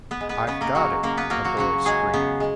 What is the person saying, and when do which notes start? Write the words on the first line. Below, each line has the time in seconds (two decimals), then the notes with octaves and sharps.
"I've got it!" a boy screamed.
0.11 B3 B4
0.21 G#3
0.29 B3 B4
0.47 C#3 B3 B4
0.61 A#3 A#4
0.75 F#3 G#3 F#4
1.03 C#3 A#3 A#4
1.17 B3 B4
1.30 F#3 A#3 A#4
1.44 F#3 F#4
1.57 C#3 F#3 F#4
1.85 F#3 G#3 G#4
2.13 C#3 B3
2.40 G#3